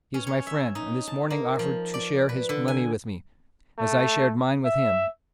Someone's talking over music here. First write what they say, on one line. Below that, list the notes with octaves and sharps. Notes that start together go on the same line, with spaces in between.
He's my friend, and this morning offered to share his money with me, as I shared mine with him.
C#4
C#5
E5
D#4
A5
A#3
F3
D5
B4
D3
G#5
A3
E5